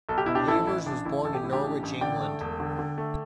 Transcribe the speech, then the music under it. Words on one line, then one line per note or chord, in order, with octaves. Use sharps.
Havers was born in Norwich, England.
B1 A4
G4
B2 E4
D4 G4
A1 E4 A4
A1 E4
A1 D4
A1 E4
A1 A4
G4
A2 E4
D4 G4
A1
A1
D3 D5 G5
A3
E1
D3
D3
A3